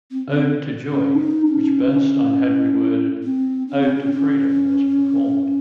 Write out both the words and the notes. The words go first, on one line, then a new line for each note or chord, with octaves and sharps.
"Ode to Joy", which Bernstein had reworded "Ode to Freedom", was performed.
C4
C4
C#4
D#4
C#4
C4
C#4
C4
C#4
C#4